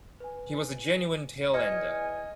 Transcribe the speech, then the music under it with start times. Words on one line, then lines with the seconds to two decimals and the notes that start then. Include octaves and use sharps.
He was a genuine tail-ender.
0.20 B4 G#5
1.54 E2 D#5 G#5 F6 G#6 C#7